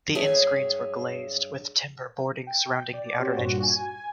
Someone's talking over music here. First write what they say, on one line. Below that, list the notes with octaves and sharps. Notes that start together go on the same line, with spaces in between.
The end screens were glazed with timber boarding surrounding the outer edges.
G2 F#3 G#4 C#5 E5
G5
D5
C4 F#4 G4 C5 C#5
G2 A#2 F#4
G#5